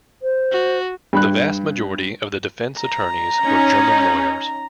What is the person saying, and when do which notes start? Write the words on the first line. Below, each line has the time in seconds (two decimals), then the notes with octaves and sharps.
The vast majority of the defense attorneys were German lawyers.
0.22 C5
0.52 F#4
1.13 G2 B5 F#6
2.81 A#5
3.43 C#4 D#4